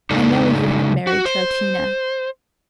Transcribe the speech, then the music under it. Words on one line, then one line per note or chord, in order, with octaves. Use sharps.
I know you have married Troutina.
C#3 G#3 D4 D#4 A4
F#4
C5